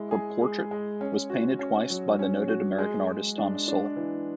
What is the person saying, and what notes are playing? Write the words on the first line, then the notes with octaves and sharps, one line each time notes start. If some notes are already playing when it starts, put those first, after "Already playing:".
Her portrait was painted twice by the noted American artist Thomas Sully.
Already playing: G#3 E4
G#4
G#3
G#3
C#4
F#4
C#4
F#3
C#4
F#4
G#3
G#3
D4
D4
E3